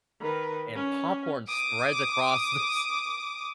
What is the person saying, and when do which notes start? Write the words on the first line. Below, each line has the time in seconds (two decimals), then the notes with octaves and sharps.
and popcorn spreads across this
0.21 D#3 B4
0.76 C#4
1.48 D6 D#6